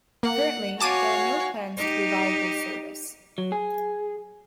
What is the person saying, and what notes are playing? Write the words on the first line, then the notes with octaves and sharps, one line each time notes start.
Currently, there are no plans to revive this service.
A#3 F#5
F#4 C#5 F5 G#5 A5 D6 D#7
D#4 G4
F#3
G#4